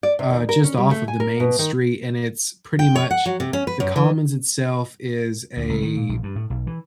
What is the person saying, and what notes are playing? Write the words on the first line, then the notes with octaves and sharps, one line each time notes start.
uh, just off of the main street, and it's pretty much The Commons itself is a
D5
C3
D#2
A#4
C#4
G3
A3
G#5
A#4
B2
D#3
G5
C#5
F#5
F#3
C3
C#4
B4
F#2
E3
D2
C#2
D#3
A#2
A#1
G2
A2
B1
E3